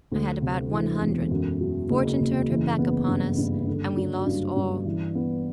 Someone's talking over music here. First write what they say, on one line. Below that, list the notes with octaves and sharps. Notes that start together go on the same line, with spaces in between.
I had about one hundred. Fortune turned her back upon us, and we lost all.
D2
C3
E3
E1
F#2
F#3
F#1
F#1
E3
B3
G2
G2
D3
F#3
G2
G2
E3
B3